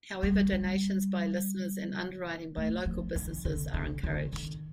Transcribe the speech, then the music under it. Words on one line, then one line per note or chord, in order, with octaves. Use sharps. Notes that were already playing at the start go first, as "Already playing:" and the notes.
However donations by listeners and underwriting by local businesses are encouraged.
G3
G3
A3
F3
D#3
D3
D3
D3
D#3